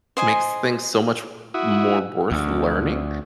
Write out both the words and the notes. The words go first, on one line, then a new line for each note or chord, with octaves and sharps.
makes things so much more worth learning,
C5 D#5 G#5
E4 F#4 D#6
D2